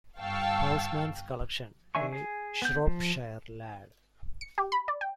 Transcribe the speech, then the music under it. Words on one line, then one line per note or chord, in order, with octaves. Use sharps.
Housman's collection "A Shropshire Lad".
G1 F5 G5 A5 C#6 E6
D#3 D4 E5 G#5 C#6
G#4
B3 G6
F3
C#7
G4
B5
D5
G5